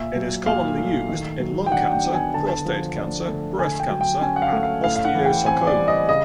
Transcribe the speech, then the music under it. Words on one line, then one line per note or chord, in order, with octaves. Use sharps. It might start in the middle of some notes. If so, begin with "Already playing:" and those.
It is commonly used in lung cancer, prostate cancer, breast cancer, and osteosarcoma.
Already playing: A#2 E5
F#3
A#2 F5
A3
D#3
F#3
G5
D4 F#5
G5
B3
G#5
D3 A5
F3
D4
A3
D3 G#5
G5
F#3
G5
C#4 G#5
F#5
F5
A3
F5
A2 F5
F5
F#5
E3
G5
C4 G#5
D5
G3
D#5
C#3 D#5